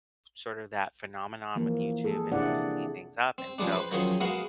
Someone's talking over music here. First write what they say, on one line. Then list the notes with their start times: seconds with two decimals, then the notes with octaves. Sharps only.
sort of that phenomenon with YouTube and looking things up, and so,
1.56 E3 F3 A#3
2.04 G#3 G#4 A4
2.32 C3 D4 E4 G#4 D5 F#5
3.38 C4
3.58 C#3 F3 G3 G#3 D4
3.72 B4 C5
3.92 D#3 F3 F#3 C#4 G#4 C5
4.20 G#3 B3 F#4 A#4 F5 F#5